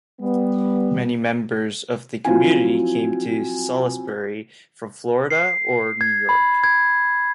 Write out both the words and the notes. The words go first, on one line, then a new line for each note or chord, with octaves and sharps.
Many members of the community came to Salisbury from Florida or New York.
G3 B3
F3 F#3 C4 E4 F4 G#5
C7
G#6
B5
G#6